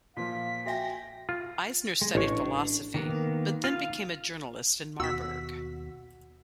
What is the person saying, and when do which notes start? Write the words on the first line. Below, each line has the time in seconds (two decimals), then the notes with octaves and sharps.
Eisner studied philosophy, but then became a journalist in Marburg.
0.17 A#2 F3 F5 B6
0.66 F#4 E5 G5 G#5 A#6
1.29 F4
2.02 G#3
2.15 A1 D4 C#5 C#6
2.94 D#3 A#3 B3
3.64 F4 F5
5.00 D#2 B2 F#4 E6 B6